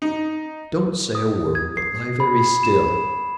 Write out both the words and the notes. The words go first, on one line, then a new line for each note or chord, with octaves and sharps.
"Don't say a word, but lie very still."
D#4
D#6
G#6
C7
B5
E7